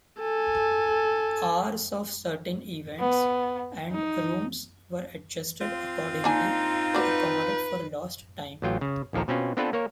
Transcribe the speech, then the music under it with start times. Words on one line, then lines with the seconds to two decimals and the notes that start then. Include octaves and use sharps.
Hours of certain events and rooms were adjusted accordingly to accommodate for lost time.
0.21 A4 G#5
2.99 B3
3.91 D#4
5.60 C4 F4
6.24 A#3 D4 D#4 G#5
6.95 F#4 B4 D5
8.62 A1 F#3 F4 G5
8.81 C#3
9.13 A#1 D#2 F3 A4 A#5
9.28 B2 C4 C#4 F4
9.57 B3 C4 D4 F4 A4 B4
9.73 A#3 A#4 C#5